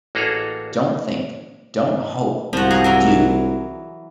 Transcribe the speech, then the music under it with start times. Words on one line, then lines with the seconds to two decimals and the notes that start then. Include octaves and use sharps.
Don't think, don't hope, do!
0.15 A1 A#3 F#4 G#4 A4 A#5
2.53 C2 F3 F#4
2.71 D#4 F#4 G#4
2.84 E3 F#3 A#4